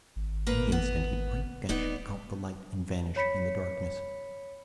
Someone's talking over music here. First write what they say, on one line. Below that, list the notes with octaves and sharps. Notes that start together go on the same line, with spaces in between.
Any instant he might dash out the light and vanish in the darkness.
G#1
A#3 A#4 B4
B3
D#1 B3 D#4 D5
C#5 B5 B6 C#7